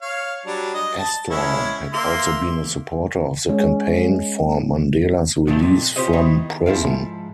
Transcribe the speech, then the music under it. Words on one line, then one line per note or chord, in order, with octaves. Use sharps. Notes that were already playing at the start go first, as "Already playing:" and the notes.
Astor had also been a supporter of the campaign for Mandela's release from prison.
C#5 F5
F#3 G3 D4
D#5
A5
G#3 C#4 E4
A#3 E5 C6
G#3 C#4
C3 D#3 F3 F#3
F2 A#2
F4 G4 A#4 C5 C#5 D#5
D#3 B3 D#4 E4
G#2 F3 E4 A4 F5